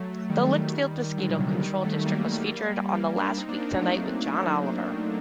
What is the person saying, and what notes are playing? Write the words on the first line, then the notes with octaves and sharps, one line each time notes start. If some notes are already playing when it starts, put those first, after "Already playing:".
The Litchfield Mosquito Control District was featured on "Last Week Tonight with John Oliver".
Already playing: F#3 A3
D#3 G3
D3 F#3
A#2 D3
C3 D#3
C3 D#3
D#3 G3
F#3 A3
G3 A#3
G3 A#3
A#3 D4
C4 D#4
A#3 D4
A#3 D4
A3 C4
F#3 A3